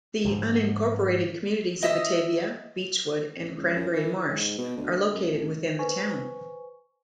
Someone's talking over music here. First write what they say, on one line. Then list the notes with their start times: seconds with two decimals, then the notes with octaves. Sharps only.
The unincorporated communities of Batavia, Beechwood, and Cranberry Marsh are located within the town.
0.25 G#2 D3 F3
1.83 D#5 E5 D#6
3.40 A1
3.57 C#2
3.76 F#2
3.93 E3
4.27 G#2
4.58 B2
4.77 D2
5.14 F#2
5.32 A1
5.79 B4 C5 G#5 C#6